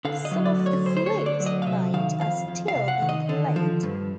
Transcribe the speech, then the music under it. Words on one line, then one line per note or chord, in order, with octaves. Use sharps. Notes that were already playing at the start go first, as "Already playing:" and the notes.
Some of the flutes he made are still being played.
D3 F5
D#5
F#3
D5
D2
C#5
D2 C5
C5
C#5
D3
D5
F#3
D#5
F5
C3 E5
D#3 F5
F2 F5
F2
F5
C3
F#5
D#3
D#5
D3
F3
G2